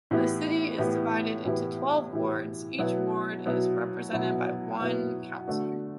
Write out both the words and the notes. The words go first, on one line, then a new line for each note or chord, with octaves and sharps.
The city is divided into twelve wards; each ward is represented by one councillor.
A2 E3 B3 E4 G4
A2 E3 B3 E4 G4
A2 E3 B3 E4 G4
A2 E3 B3 E4 G4
B2 F#3 B3 E4
B2 F#3 B3 E4
B2 F#3 B3 E4
B2 F#3 B3 E4
D3 A3 D4 F#4